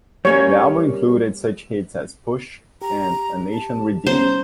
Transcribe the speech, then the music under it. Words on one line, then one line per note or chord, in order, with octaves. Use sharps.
The album included such hits as "Push" and "A Nation Redeemed".
G3 A#3 C#4 C#5
G4 A#5
A5
G3 B3 C#4 C5 A#5